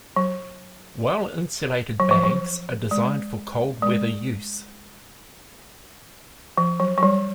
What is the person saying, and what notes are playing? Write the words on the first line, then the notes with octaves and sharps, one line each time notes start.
Well-insulated bags are designed for cold weather use.
F#3
F#3
F3
F#3
G#3
G#3
F3
F#3
F#3
G3